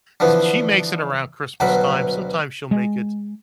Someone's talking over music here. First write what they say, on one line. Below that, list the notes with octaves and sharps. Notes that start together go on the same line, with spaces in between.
Was b She makes it around Christmas time, sometimes she'll make it,
D3 E3 F3 B3
D2 G2 B2 F#3 B5 D6
G#3